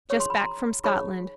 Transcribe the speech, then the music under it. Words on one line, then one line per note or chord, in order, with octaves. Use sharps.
Just back from Scotland.
D#4 G#4 C#5 C#6
C6
B5
A#5 C6
D#4 G#4 C#5 B5 C#6